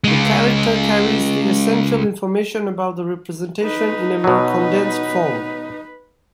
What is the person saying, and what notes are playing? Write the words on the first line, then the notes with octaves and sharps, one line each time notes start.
The character carries the essential information about the representation in a more condensed form.
C#3 G#3
D#4 B4
B2 F#3 B4